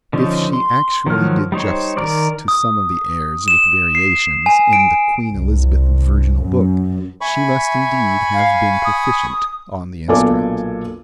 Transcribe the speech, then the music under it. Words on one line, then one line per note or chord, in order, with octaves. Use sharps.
If she actually did justice to some of the airs with variations in the "Queen Elizabeth Virginal Book," she must indeed have been proficient on the instrument.
D3 F3 C#4 D#4
C6
D#3 F3 F#3 F6
G3 D#4 C5 C#5
D#3 A#4 D5
D#6
E7
C7
G#5
D7
C2
F#2
E5 G#5 B5 C#6
F5
D#6
B1 A#2 D4 A4 G#5 D6